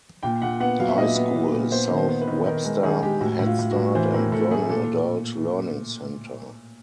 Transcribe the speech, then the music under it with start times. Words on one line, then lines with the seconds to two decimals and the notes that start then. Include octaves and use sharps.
High School, South Webster Headstart, and Vernon Adult Learning Center.
0.23 A#2 G5
0.42 A#2 F#5
0.60 B3 F#5
0.80 F#3 F5
0.88 E5
0.97 A#2 D#5
1.07 E5
1.16 B3
1.35 A#2
1.54 A#2
1.71 B3 C5
1.90 D#3
1.97 C5
2.09 B3
2.22 B4
2.28 D#3
2.46 D#3 A#4
2.65 G#3 A#4
2.83 D#3 G#4
3.02 G#3 G4
3.21 A2 F#4
3.39 A2
3.46 F4
3.59 A2
3.71 F#4
3.76 A2
3.95 E3 C5
4.14 A2 A#4
4.32 A2 A4
4.51 A3 G#4
4.69 A#2 A4